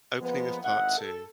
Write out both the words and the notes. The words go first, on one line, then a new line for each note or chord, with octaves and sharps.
Opening of Part Two.
F3 G#3 A#3 B3
G#1 A2 D#5 E5 F#5
A4